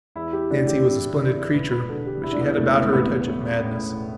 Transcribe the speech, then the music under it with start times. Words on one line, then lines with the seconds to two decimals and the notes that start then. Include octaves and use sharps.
Nancy was a splendid creature, but she had about her a touch of madness.
0.15 E2 E4
0.33 G4
0.50 A3 D4
0.68 G4
0.85 E3
1.19 E2
1.54 E1 B4
1.71 B4
1.89 D3 A4
2.06 G4
2.23 E2 E4
2.33 D4
2.41 B3
2.58 E1 A3
2.75 B3
2.85 A3
2.93 A1 B3
3.27 A3
3.62 A2